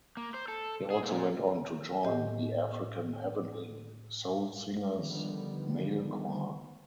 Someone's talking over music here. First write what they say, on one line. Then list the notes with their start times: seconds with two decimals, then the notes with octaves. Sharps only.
He also went on to join the African Heavenly Soul Singers male choir.
0.17 A#3
0.34 C5
0.48 A4
0.90 G#4
1.03 A#2
2.02 A2 G4 D#5 E5
4.97 D3 D#3 F3 G3 B3